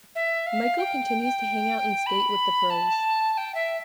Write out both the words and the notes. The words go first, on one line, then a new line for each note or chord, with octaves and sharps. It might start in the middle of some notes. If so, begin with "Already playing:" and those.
Michael continues to hangout and skate with the pros.
E5
F5
G5
B5
A5
A5
G5
E5